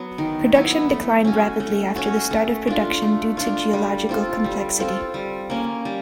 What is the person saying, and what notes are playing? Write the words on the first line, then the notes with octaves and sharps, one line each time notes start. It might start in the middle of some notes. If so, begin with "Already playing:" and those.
Production declined rapidly after the start of production due to geological complexity.
Already playing: F#3 B3
D#3
F#3 B3 E4
A3
C#4 F#4
A3
C#4 F#4
A3
D4 F4
A3
D4 F4
G3
C4 F4 A4
G3
C4 F4 A4
G3
A#3 C#4
G3